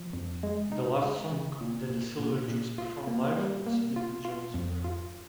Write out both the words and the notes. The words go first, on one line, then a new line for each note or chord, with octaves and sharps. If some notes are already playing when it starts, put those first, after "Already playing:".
The last song that the Silver Jews performed live was Smith and Jones Forever.
Already playing: F3
F2
G#3
D#4
G#3
C#3
A#2
A#2
A#2
A#2
F4
A#3
G3
A#3
F4
F4
F2
F4